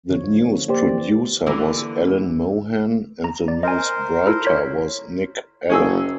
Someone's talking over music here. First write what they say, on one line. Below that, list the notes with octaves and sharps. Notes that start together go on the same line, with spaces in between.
The news producer was Alan Mohan, and the news writer was Nick Allen.
D3 F3 C#5
A#3 G4 C5 D5
E3
D3 E3 A#3
A#5
D5
A#4 C5 D#5 G#5
E4 F4 A4
C#5 B6
F#1 C#4 G#4 E6